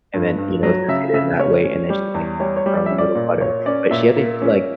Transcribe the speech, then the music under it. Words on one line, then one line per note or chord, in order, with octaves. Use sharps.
and then, you know, associate it in that way, and then she'd, like, get her own little butter. But she had to like
G2
G2
F#3
C#3 E5
C#3 E5
C#4 C#5
C#4
G3
E2
G3 C#5
C#5
G3
D5
C#4 E5
D5
A#2
A#3 C#5
C#4 D5
A#2 E5
A#3
C#4